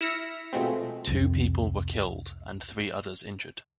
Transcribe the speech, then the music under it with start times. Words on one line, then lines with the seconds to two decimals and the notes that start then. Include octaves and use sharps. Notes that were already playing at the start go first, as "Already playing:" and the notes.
Two people were killed and three others injured.
0.01 E4 E6 F6 A#6 B6 C#7
0.53 B2 F3 G#3 A3 C4
1.07 C2 F2